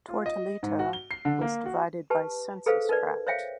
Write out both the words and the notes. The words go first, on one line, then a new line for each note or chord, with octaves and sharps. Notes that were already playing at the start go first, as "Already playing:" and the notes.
Tortolita was divided by Census tract.
F4
D#5
G#2
F#4
G7
C7
D3
A#3
F#4
G4 B4 A5
G#4 A4 B4 C5 F5
D#4 A#4 B4 D5
C5 C#5 E5 F5 G5